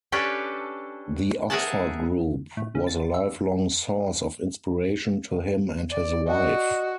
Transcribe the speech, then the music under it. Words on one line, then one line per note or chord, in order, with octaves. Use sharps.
The Oxford Group was a lifelong source of inspiration to him and his wife.
C#4 D4 G4 A4 B4 C#5
G#4 A#4 E5 F#5 G#5 A5
A2
C#3
A6
E5
D5
F#4 D#5